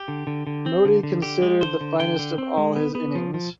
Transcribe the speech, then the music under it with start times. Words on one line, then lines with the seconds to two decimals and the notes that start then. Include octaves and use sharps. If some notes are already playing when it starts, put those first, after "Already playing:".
Modi considered the finest of all his innings.
Already playing: G4
0.08 D3
0.27 D3
0.47 D3
0.66 C4
0.85 D3
1.03 D3
1.22 D3 G4
1.42 G#3
1.61 D3 C5
1.81 D3
1.99 D3 G5
2.19 D3
2.38 C4
2.57 G#3
2.76 B3
2.95 B3
3.15 F3
3.34 F3